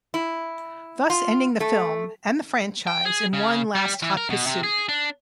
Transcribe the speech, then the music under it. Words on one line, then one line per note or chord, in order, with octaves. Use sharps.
Thus ending the film, and the franchise, in one last hot pursuit.
E4
F4
A3
G5
G#4
C#3
G3
E3
A#4
B2
C3
G#4
D4